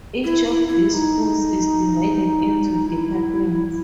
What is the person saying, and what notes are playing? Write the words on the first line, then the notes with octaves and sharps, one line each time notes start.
Each of these schools is divided into departments.
E4
E4
E4
E4
D#4
E4